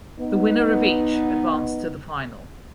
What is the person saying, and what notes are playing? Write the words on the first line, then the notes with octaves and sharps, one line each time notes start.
The winner of each advanced to the final.
B3 D#4